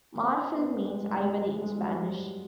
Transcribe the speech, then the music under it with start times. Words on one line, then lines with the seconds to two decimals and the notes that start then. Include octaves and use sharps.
Marfil means 'Ivory', in Spanish.
0.23 C4
0.54 B3
0.84 G#3
1.07 G#3
1.16 G3
1.62 G#3
1.70 G3
1.79 F#3
1.88 G3